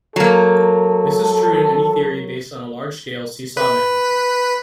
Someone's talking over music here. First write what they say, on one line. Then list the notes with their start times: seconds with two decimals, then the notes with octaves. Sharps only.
This is true in any theory based on a large-scale seesaw mechanism.
0.16 F#3 A#3 A4
3.57 B4